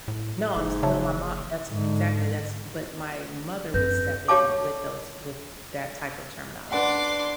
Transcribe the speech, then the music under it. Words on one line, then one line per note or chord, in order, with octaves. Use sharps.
No, I'm s no, my mo that's exactly. That's but my mother would step in with those with that type of terminology.
A2
F#1 G#2
C#3 C#5 E5 A5
G#2 D3
F#2 C4 B4 G6 A#6
G4 C#5 F5 A5 D6
D4 B4 D5 F#5 C6 D6